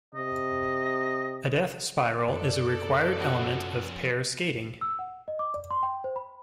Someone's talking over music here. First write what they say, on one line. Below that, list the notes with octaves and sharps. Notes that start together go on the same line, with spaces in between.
A death spiral is a required element of pair skating.
C3 D#5
F#2 D4 A4 D5
F3 B3 C#4 F#4
E6
F#5
D#5
D6
D5
C6
G5
C5
B5